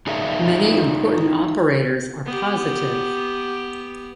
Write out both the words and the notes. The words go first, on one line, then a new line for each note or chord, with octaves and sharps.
Many important operators are positive.
D#4 G#4 A#4 D5 E5 F5
B3 G4